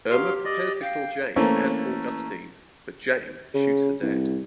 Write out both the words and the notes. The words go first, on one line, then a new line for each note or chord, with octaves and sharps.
Irma prepares to kill Jane and Augustine, but Jane shoots her dead.
F#3 G4 F5 C6
D5 D#5
F5 G5
E3 A3 A#3 C4 C#4
C#3
C2